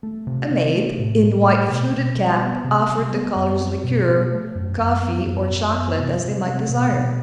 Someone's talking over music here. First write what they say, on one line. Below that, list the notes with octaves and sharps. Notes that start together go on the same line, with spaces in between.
A maid, in white fluted cap, offered the callers liqueur, coffee, or chocolate, as they might desire.
A3
C3
C3
A3
A2
A2
A3
B2
B2
G3
B3
C3
G3
B3
F#2
C4
B2
B2
A3
F#2
F#2
B3
F#2
F#2
B3
C3
C3
C4
B2
B2